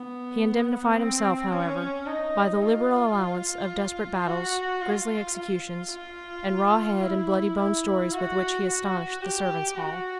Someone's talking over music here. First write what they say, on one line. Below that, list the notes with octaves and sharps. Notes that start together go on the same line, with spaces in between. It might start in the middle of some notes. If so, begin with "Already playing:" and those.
He indemnified himself, however, by the liberal allowance of desperate battles, grisly executions, and raw-head and bloody-bone stories with which he astonished the servants' hall.
Already playing: B3
C4
C#4
D#4
F4
F#4
F4
F4
F4
E4
E4
F#4
F#4
G4
F#4